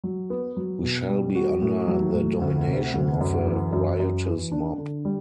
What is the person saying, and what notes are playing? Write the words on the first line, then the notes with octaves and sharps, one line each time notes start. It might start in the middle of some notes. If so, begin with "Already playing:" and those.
We shall be under the domination of a riotous mob.
F#3
B3
F#3
B2
G3
F#4
A2
F#3
A2
D2
C3
D2
F#2
E3
F#2
F#2
E3
D4
D3
G3